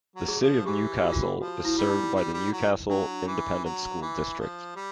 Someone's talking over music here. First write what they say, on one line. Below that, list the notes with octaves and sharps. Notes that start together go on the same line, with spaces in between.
The City of Newcastle is served by the Newcastle Independent School District.
F#3
G#4
F3
E3 G4
F#4
F4
F#4
F3 F#4
E4
G3
D#4
G3
G3
F#3
F#3 D4
E3
F#3
E3
F3
G3